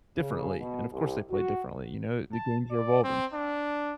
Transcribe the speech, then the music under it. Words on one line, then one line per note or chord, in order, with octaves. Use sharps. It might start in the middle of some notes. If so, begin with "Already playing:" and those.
differently, and, of course, they play differently, you know? The games are evolving.
C#3
B2
C2
F#4
A5
D5
C4
D4